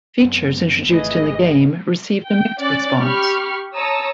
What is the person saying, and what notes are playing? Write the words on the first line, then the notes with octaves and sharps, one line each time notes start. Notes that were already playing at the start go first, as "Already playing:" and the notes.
Features introduced in the game received a mixed response.
F#2 B3 C4
G#1 E3 A3 G#4 D#5
G5
C#4 D5 D6 F#6 A6
G4 B5 C#6 F6
C#5 A5 A#5 D#6 E6